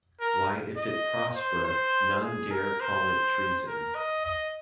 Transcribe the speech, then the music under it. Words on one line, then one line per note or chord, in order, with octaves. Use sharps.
Why if it prosper, none dare call it treason.
A#4
D#5
C5
C5
G#4
A#4
C5
A#4
D#5
D#5